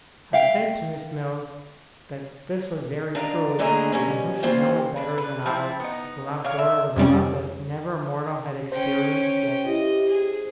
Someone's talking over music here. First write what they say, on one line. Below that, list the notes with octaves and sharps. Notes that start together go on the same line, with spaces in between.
I said to Miss Mills that this was very true, and who should know it better than I, who loved Dora with a love that never mortal had experienced yet?
E5 F5 G5
D4 D#4 D5 F5
D#2 A2 D3 G#4 D#5 A#5
B2 G3 C#4
G3 A#3 C4 C#4 F4 C5
D4 B4
B4
F3 C4 E4
B3 D#4
C#5 D5 F5
E5
F2 C3 G3 C#4
C#4 C5 G5
E4 G4 D#5
G#4